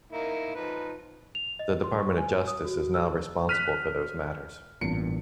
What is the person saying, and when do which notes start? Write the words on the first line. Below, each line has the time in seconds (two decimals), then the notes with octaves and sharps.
The Department of Justice is now responsible for those matters.
0.12 A#3 D#4 E4
0.55 F3 D#4 B4
1.35 F7
1.59 D#5
1.84 C6
1.99 C#6
2.18 G#5
2.47 D#6
2.65 F#4
2.94 E6
3.49 F6 F#6 B6 D#7
4.81 A1 G2 A#2 E3 B3 C4 C#7